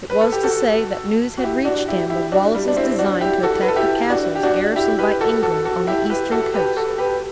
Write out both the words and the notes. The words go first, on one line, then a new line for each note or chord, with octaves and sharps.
It was to say, that news had reached him of Wallace's design to attack the castles garrisoned by England, on the eastern coast.
B4
A4
G4
F#4 A4
F#4
E4 G4
D4 F#4
E4 G4
E4 G4
D4 F#4
G3
D4
C4 E4
D4 F#4
E4 G4
F#4 A4
B4
A4
E4 G4
D4 F#4
G4
D4 F#4
E4 G4
G4 B4
F#4 A4
F#4 A4
F#4 A4
E4 G4
G4 B4
F#4 A4
G4 B4
F#4 A4
G4 B4